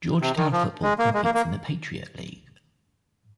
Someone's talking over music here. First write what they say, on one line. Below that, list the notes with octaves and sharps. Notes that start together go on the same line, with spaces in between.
Georgetown football competes in the Patriot League.
C3
D#3
F3
G#3
A#3
G#3
A#3
A#3